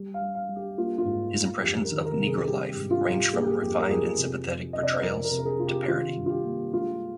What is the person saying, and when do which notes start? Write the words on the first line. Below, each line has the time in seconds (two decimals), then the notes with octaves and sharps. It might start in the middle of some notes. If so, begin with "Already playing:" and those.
His impressions of "negro life" ranged from refined and sympathetic portrayals to parody.
Already playing: G3
0.14 F5
0.22 G3
0.35 F5
0.49 G3
0.57 G4
0.78 A#3 F4
0.98 F4
1.05 G#2
1.34 G#2
1.62 F2 G4
1.84 A#4
1.92 D#3
2.05 A#4
2.20 C3
2.27 G#4
2.43 G#4
2.47 G3 G4
2.69 G4
2.76 G#2
2.91 F4
3.05 G3
3.12 G4
3.33 A#3 G#4
3.41 G4
3.48 G#4
3.62 F2 G4
3.79 A#4
3.89 F2 G#4
4.18 C3
4.46 F2
4.73 C3 D#5
4.83 D5
4.94 C5
5.03 F2 A#4
5.25 A#4
5.31 C3
5.39 A#4
5.45 G#4
5.59 C3 F4
5.67 G4
5.88 D#3 F4
6.16 G2
6.26 F4
6.30 G4
6.45 A#3
6.73 G#3 F4